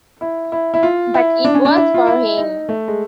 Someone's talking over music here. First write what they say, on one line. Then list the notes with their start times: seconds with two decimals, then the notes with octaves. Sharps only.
But it was for him.
0.21 E4
0.52 E4
0.74 E4
0.83 F4
1.14 E4
1.45 D4
1.55 C#4
1.65 D4
1.77 E4
1.94 F4
2.07 E4
2.37 D#4
2.69 A3
2.88 G#3